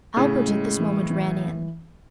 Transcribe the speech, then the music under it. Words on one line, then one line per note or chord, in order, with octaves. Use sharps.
Albert at this moment ran in.
A2 C#3 C#4
G#3
E3
E3